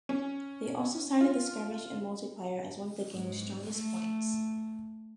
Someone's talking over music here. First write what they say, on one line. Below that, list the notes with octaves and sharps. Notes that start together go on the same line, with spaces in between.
They also cited the skirmish and multiplayer as one of the game's strongest points.
C#4
F4
G#2
A3